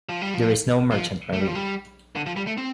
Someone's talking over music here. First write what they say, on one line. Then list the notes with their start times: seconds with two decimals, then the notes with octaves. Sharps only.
There is no merchant marine.
0.09 F3
0.21 G3
0.34 F3
0.92 F3
1.33 A3
1.41 G3
1.48 F3
1.55 G3
2.16 D3
2.26 F3
2.36 G3
2.47 A3
2.58 C4